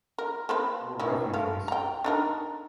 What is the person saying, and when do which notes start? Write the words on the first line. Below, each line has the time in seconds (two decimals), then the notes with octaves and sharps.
They were refugees.
0.18 A#4
0.49 A#3 C4 B4
0.99 D#3 C#4 E4
1.34 A3 F5
1.68 G5 A#5
2.04 D4 D#4 A#4